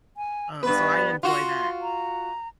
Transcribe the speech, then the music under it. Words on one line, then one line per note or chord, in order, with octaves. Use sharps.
um, so I enjoy that.
G#5
G2 B3 B4
F4 F#4 C6
A#5